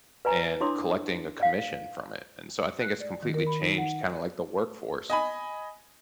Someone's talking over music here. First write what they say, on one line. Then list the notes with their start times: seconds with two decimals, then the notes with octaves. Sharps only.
and collecting a commission from it, and so I think it's completely changed kinda like the workforce
0.25 B4 D5 G#5 A#5
0.61 D4 E4 C#5 C6 D6 D#6
1.40 D5 F5
2.81 F#6
3.00 D5
3.23 D#3
3.34 A#4
3.47 B5
3.61 D#4
3.78 F#5
5.10 D#5 G#5 B5